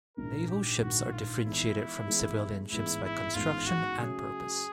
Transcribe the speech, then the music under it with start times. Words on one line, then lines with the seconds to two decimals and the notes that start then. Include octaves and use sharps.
Naval ships are differentiated from civilian ships by construction and purpose.
0.17 A#1 G#2 D#3 A#4
0.48 G4
0.80 A#1 G#2 D#3 F#4
1.13 F4
1.44 E3 G#3 B3 D#4 E4
2.07 E3 G#3 B3 D#4
2.71 A1 G#2 E3 G#3 B3 E4
3.04 E4
3.34 A1 G#2 E3 G#3 B3 F4
3.66 F#4
3.98 C#3 F#3 A3 C#4 G#4